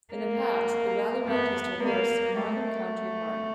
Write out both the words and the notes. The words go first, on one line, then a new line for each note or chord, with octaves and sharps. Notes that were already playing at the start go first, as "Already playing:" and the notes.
In the past, the rally route has traversed Margam Country Park.
A#3
B3
A#3
A3